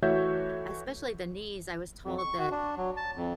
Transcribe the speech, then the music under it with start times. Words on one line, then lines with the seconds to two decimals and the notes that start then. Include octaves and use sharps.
Especially the knees, I was told that
0.02 E3 A3 F#4 C#5 E5 G6
2.05 F2
2.18 C#6
2.39 F#4
2.51 D4
2.78 F#3
2.97 A5
3.16 F2